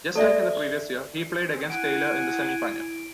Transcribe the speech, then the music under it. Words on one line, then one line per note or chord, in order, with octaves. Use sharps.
Just like in the previous year, he played against Taylor in the semi-final.
A4 D5 E5
E4 F#5 G#5 D7